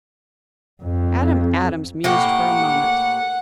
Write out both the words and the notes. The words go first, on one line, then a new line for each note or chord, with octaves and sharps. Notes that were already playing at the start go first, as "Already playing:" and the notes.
Adam Adams mused for a moment.
F2
A2 A#3 G4 F#5